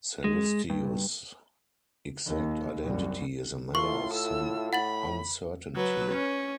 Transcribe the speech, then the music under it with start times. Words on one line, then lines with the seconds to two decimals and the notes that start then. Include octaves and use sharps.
Sallustius' exact identity is a matter of some uncertainty.
0.24 G#3
0.70 G2
2.26 D#2
2.83 C2 F#2
3.75 A2 E4 F4 A4 C6 C#6
4.14 E6
4.73 A2 F#5 B5 A6 F#7
5.76 F#3 B4
6.12 C#4